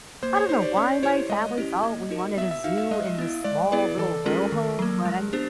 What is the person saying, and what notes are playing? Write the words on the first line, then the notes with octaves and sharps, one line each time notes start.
I don't know why my family thought we wanted a zoo in this small little row home, but I mean,
A#3 C5
C#5
D#4 G4 C5
D5
C#4 C#5
E4 G4 C5 C#5
G#3 D#5
C#4 E4 G4
A#3
D#4 F#4 A#4
B3 E5
E5
D#4 F#4 F5
E5
G#3 D#5
B3 E4
G#3 D5
B3 E4 G#4 B4 D5
E3 A4
G#3 C#4 F4 G#4 A#4
D#3
F#3 A#3
G#3
B3 D4 G4 C5